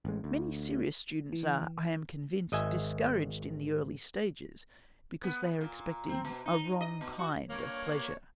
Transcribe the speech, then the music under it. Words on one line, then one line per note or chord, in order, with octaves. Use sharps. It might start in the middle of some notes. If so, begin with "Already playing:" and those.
Many serious students are, I am convinced, discouraged in the early stages because they are expecting a wrong kind of pleasure.
A1 G#3
D2
E3
G#1 D#5 E5 G#5
B3
A#2
C4
B2
D#4
D#5
B2
F#4
G2 A#3 C#5